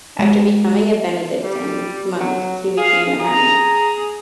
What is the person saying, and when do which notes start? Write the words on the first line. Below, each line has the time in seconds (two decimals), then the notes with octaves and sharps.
After becoming a Benedictine monk, he became a hermit.
0.19 G#3
1.43 G3
2.20 F#3
2.77 G#4 F5
3.19 G#4 A#5